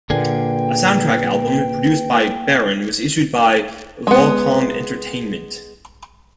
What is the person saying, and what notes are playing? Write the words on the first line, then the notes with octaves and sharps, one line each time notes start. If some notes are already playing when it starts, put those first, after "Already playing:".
A soundtrack album, produced by Baron, was issued by Volcom Entertainment.
A#2 D3 A#3 G#4 B4 G5 G#5
G#3 B3